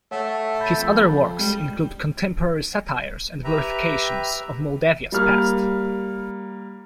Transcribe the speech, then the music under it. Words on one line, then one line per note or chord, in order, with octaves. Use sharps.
His other works include contemporary satires and glorifications of Moldavia's past.
A3 C#5 F#5
B5 G6 A6
F2
G3 G#3
G4 B4 E5 A#5
G3 A#3 F6